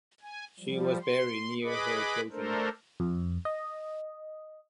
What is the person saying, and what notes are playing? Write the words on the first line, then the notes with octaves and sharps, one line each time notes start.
She was buried near her children.
G#5
F3 G3
C6
G#4 B4 D#5 B5 D6
A3 D4 A4 A#4 C5
F2
D#5